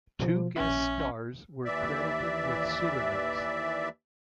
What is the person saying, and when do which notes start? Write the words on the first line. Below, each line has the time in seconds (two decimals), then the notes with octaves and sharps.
Two guest stars were credited with pseudonyms.
0.20 B2 F3
0.56 A#1 C#4 E5
1.65 D#2 E3 D5 E5